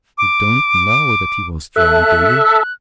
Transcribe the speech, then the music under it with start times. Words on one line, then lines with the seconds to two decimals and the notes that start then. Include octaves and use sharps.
You don't KNOW that he was drowned, do you?
0.18 D6
1.76 A4 E5 F#6